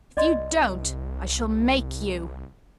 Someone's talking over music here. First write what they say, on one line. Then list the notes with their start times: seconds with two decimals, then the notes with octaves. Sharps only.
"If you don't, I shall make you."
0.17 C2 D5 D#5 C6